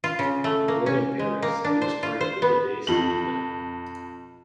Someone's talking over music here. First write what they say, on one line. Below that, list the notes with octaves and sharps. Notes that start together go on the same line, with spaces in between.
Born in Paris, he was part of the Dadaist movement.
F4
C#3
A3
A#3
C#4
G#3
A#3
D4
C5
F4
C5
B3
F2 F#7